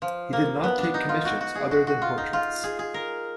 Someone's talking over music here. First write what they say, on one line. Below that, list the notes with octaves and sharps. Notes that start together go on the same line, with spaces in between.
He did not take commissions other than portraits.
F3
A#3
B3
D4
D#4
F4
F#4
F#4
G#4
F#4
F#4
F4
D#4
F4
G#4
G#4
A#4